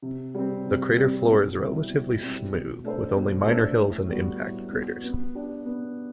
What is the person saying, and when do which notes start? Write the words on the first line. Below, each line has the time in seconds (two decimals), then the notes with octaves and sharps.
The crater floor is relatively smooth, with only minor hills and impact craters.
0.02 C3
0.35 G3 C4
0.66 C3
0.97 G3 C4
1.28 B2
1.59 G3 C4 E4
1.90 B2
2.22 G3 C4 E4
2.54 B2
2.84 A3 D4 A4 C5
3.16 B2
3.47 A3 D4 A4 C5
3.78 A2
4.09 G3 B3 F#4
4.41 A2
4.72 G3 B3 F#4
5.04 B3
5.35 D4 G4
5.66 B3